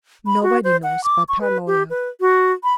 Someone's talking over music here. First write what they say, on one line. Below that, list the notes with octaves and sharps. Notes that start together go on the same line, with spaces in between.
"Nobody knows but her lawyer."
B5
F#4
C5
F#5
D6
C#6
B4
G4
B4
F#4
B5